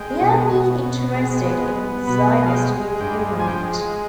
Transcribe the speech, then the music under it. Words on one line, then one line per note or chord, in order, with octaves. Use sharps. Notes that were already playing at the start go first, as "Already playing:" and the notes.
He had been interested in the Zionist youth movement.
Already playing: G#3 G5
B2
B2
B2
G#3
B3
B3
B2 B5
G#3 D#5
F5
G5
G#3
G2 G5
F3
G#5
G5
G#3